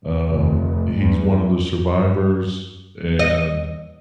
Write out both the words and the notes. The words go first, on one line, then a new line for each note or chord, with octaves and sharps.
um, he's one of the survivors, and
F1
E2
D#5